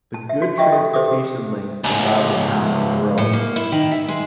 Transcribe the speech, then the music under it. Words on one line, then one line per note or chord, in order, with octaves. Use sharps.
The good transportation links allowed the town to grow.
A5
E5
F#4
F4 G4 D#5 E5 G5 C#6
A4
G4 A4 C5 E5 D6 D#6
C#2 G#2
A2
A#3
E4
D#3
E5
G#3